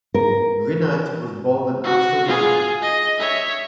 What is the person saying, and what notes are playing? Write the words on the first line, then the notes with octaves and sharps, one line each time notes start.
Rinat was born in Amsterdam.
A#4
F#4
F4 G#4
D#5
C#5 E5